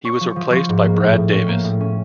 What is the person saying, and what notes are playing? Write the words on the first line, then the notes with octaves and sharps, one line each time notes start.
He was replaced by Brad Davis.
C#4 C#6
F3
F3
F3 C#6
G#2
A#3
A2
A2
C#4
A#3
A2
C#4